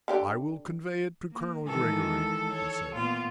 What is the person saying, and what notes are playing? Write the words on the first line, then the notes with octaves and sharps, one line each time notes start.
"I will convey it to Colonel Gregory," he said.
D3 G4 D5
A#3
D#3 E3 G#3 A4
C#5
A#2 A3 B3 F4